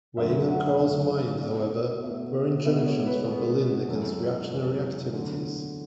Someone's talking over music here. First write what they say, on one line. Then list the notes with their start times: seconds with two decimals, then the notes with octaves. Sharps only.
Weighing on Kahr's mind however, were injunctions from Berlin against reactionary activities.
0.17 F#2 D3 A3 E5
0.49 F#5
0.79 F#2 D3 A3 E5
1.41 B2 A3 D5
2.03 B2 A3 E5
2.64 B2 G#3 B3 E5
2.86 C#5
3.07 B4
3.27 B2 G#3 B3
3.89 F#2 E3 G#3 A4
4.50 F#2 E3 G#3 A4
5.13 E2 D3 F#3 A3